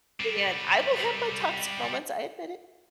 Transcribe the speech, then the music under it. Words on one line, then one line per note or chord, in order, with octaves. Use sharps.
And I will have my toxic moments, I admit it.
G3 C4